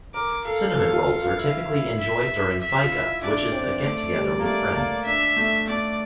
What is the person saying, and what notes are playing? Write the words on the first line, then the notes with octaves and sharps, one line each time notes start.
Cinnamon rolls are typically enjoyed during Fika which is a get together with friends.
A#4 D6
A4 F5
A4
F4
F4
F4
E4
E4
E5
E5
F4
E4
D4 D5
C4
A3 D5
G3
A#3
A3 D5
A#3
D4 E5
A3
A3 D5